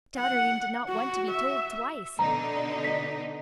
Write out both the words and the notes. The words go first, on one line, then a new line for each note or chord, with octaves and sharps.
Dotterine did not want to be told twice!
F#5
F#4
E5
B2 D3 D#4 A#5
D#5 B6